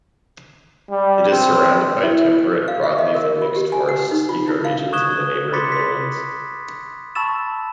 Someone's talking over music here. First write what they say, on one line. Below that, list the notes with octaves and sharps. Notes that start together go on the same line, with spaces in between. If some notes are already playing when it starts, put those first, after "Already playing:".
It is surrounded by temperate broadleaf and mixed forests ecoregions in the neighboring lowlands.
G3
C4
E4
F5
E5
D#5
A#4
F4
G4
G#5
F#5
D#4
F4
E4
F5
C#6 D#6 F#6 G#6 E7 G7
B5 C6 D6 A6 B6 C#7
B6
A5 B5 C#6 E6 A6 E7